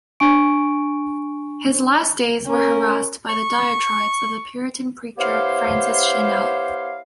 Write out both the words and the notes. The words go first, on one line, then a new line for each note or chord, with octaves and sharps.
His last days were harassed by the diatribes of the Puritan preacher, Francis Cheynell.
D4 G#5 C#6 D7
C#4 A#4
C#6
B3 E4 G4 C5 C#5 F5